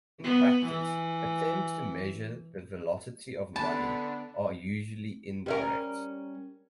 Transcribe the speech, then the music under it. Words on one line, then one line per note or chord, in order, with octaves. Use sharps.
In practice, attempts to measure the velocity of money are usually indirect.
B3
E3
D3 B3 D4 A5 B5
G3 C#4 A#4